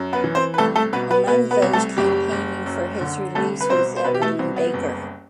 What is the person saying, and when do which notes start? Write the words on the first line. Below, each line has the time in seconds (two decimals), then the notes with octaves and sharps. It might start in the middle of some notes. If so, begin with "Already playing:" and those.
Among those campaigning for his release was Evelyn Baker.
Already playing: F#2
0.13 B3 B4
0.24 E3
0.35 C4 C5
0.54 B4
0.58 C2 A3 A4
0.76 A3 A4
0.93 B2 B3 B4
1.11 B3 B4
1.27 B2 B3 B4
1.51 B3 B4
1.62 C2
1.73 A3 A4
1.97 F#1 G3 G4
2.32 F#1
2.66 F#2
3.01 D3
3.35 C2 A3 A4
3.61 B4
3.69 B2 C4 C5
3.97 C5
4.04 B2 B3 B4
4.15 G4
4.22 A3 A4
4.39 C2 C4
4.56 B3
4.73 F#1